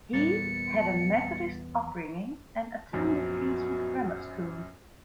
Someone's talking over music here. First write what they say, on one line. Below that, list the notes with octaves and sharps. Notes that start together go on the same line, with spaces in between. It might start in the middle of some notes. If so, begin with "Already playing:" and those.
He had a Methodist upbringing and attended Kingswood Grammar School.
E2 A#2 G3 A#3 B3 A6 C#7
A#1 F#2 B2